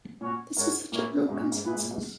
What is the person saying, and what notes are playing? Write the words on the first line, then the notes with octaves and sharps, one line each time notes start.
This is the general consensus.
A#2 C#4 F#4 C#5
G#2 C#4 F#4 A#4 C#5
A#2 A#3 E4 A#4 C#5
G#2 B2 G#3 D#4 F#4
A#2
G#2
A#2 B3 E4 G#4 B4
G#2
A#2
G#2 B2